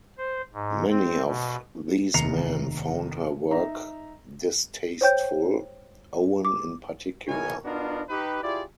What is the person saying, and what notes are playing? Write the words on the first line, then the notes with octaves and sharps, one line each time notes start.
Many of these men found her work distasteful, Owen in particular.
C5
G#2
C4
B2
F1 D#2 A#5 C7 C#7 F7
D#4 E5 A#5
C5 C#5 G5 G6
D6
B2 D#3 E4 A#4 C#5 G#5
B3 D4 D#4 F4 F#4 A#4
D#4 G4 B4
E4 F4 G4 G#4 D5